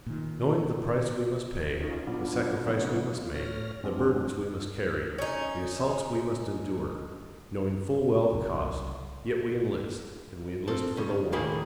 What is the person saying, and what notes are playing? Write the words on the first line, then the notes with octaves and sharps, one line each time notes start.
Knowing the price we must pay, the sacrifice we must make, the burdens we must carry, the assaults we must endure--knowing full well the cost--yet we enlist, and we enlist for the war.
A#2 D#3
C#4 D#4 F4
A#2 F#3 B3 D4 F4
C3 E3 F#3 B3 C#4 D#4
F4
A2 C#5 F6 A#6
F2 F#3 G#3 C4 D4
C#4 D#4
F#1 C2 F#2
C4 A4
G2 C#3
A2 D#3 A#3 G4 G#4 B5